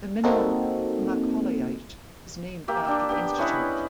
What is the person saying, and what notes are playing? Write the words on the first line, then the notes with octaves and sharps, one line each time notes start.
The mineral Macaulayite is named after the Institute.
A#3 C4 D#4 F#4 A4
A#3 G4 E5
D4 G4 E5
B3 G4
C#4 E4 B4 D#5